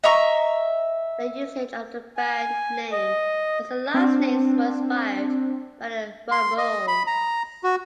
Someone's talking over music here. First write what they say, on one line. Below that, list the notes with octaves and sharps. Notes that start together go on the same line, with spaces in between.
Their usage of the band name as their last names was inspired by the Ramones.
D#5 E5 A#5 C#6
G#5
D#5
C4 D4
C6
D#5
B5
A#5
F#4